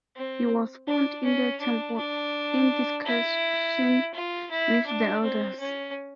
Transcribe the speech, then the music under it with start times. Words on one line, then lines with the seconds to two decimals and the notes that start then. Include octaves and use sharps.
He was found in The Temple in discussion with the elders.
0.16 C4
0.88 D4
1.24 C#4
1.60 D4
1.97 D4
3.06 E4
4.14 F4
4.51 E4
4.86 D4
5.23 C4
5.59 C#4